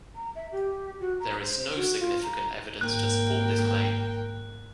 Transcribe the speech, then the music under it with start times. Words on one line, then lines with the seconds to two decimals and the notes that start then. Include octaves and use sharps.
There is no significant evidence to support this claim.
0.15 A#5
0.35 E5
0.52 G4
1.00 F#4
1.20 A#5
1.41 C5
1.76 F#4
1.99 F4
2.23 A#5
2.81 G#1 A#3 A#4 G5 F#6